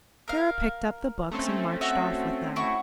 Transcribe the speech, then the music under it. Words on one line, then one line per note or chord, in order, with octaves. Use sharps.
Sara picked up the books and marched off with them.
A#4 F5
A3 C4 C#4
F#4 E5
E4 F#4 C#6